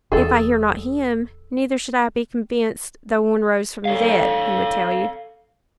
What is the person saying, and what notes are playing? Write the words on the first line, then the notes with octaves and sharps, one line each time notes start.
If I hear not him, neither should I be convinced though one rose from the dead, he would tell you.
E1 G#4 A4
A4 C#5 F5